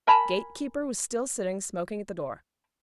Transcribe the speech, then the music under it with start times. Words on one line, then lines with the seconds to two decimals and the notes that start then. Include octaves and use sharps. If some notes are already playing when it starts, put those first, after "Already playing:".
The gatekeeper was still sitting smoking at the door.
0.07 A#4 G#5 A5 B5